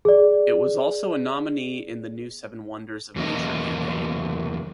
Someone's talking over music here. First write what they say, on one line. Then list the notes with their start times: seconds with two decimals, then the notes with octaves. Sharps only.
It was also a nominee in the New Seven Wonders of Nature campaign.
0.05 G#4 D5
3.16 E2 F#3 A#3 C#4 D#5